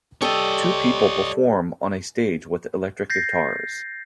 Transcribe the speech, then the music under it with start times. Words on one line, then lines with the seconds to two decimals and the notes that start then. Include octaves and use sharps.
Two people perform on a stage with electric guitars.
0.22 G3 G4 A4 C#5 D#5
3.10 G6 A6 A#6 C7